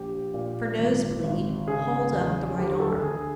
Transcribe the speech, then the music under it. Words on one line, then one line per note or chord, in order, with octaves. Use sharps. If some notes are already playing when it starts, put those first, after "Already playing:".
For nose-bleed, hold up the right arm.
Already playing: A#1 G4
A#2
G#1
G#1
C#3 G#4
E2
D2 G4
A4
D2 G#4